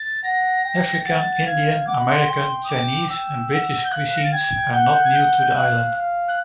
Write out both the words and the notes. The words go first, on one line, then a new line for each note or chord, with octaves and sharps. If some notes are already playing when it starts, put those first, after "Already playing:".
African, Indian, American, Chinese and British cuisines are not new to the island.
Already playing: A6
F#5 A#6
G5
F#5 A6
F5 G#6
F#5 D6
B5
C6
G5
D#6
D6
G5 E6
F#5
G6
F5 F#6
A#6
A6
G5 G#6
F#5 G6
G#6
G6
F5 F#6
F5
F#6